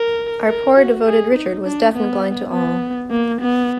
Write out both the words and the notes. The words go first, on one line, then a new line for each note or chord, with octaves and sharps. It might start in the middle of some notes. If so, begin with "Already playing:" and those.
Our poor devoted Richard was deaf and blind to all.
Already playing: A#4
A#4
F#4
G#4
D#4
D4
B3
B3
A#3
B3